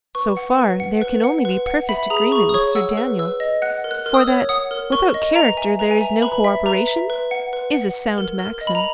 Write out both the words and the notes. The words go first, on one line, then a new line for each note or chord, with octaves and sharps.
So far there can only be perfect agreement with Sir Daniel, for that 'without character there is no co-operation' is a sound maxim.
B4 C#6
F#5
B4
F#5
B4
F#5
B4
F#5
E5 B5
G#4 A#5
G#4 C#6
D#6
C#5 C#6
F#5 E6
B4
B4 E6
D#5
F#5 F#6
A#4
F#6
A#4
D#6
E6
C#5
F#5 D#6
A#4
A#4 C#6
D#5
B4 A#5
E5 G#5
B4 A#5
G#5
E5 A#5
B4 B5
E5
B4 A#5
E5
B4
F#5
B4
F#5
F#5
A#4
A#4
D#5
B5
A#5